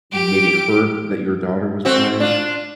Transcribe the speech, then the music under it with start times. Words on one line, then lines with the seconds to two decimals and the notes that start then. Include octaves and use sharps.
maybe heard that your daughter was playing.
0.12 G4 D7
1.85 A3 C4 F#4
2.20 D4 F4